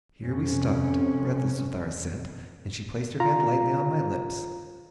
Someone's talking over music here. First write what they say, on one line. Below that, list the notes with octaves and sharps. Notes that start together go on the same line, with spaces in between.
Here we stopped, breathless with our ascent, and she placed her hand lightly on my lips.
F2 C3 C#4
F4 A#5